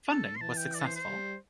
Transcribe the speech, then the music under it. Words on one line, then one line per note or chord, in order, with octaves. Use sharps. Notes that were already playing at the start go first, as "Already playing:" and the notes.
Funding was successful.
A4
C6
E3 A5
G5
D5
A4
C5
C5
G3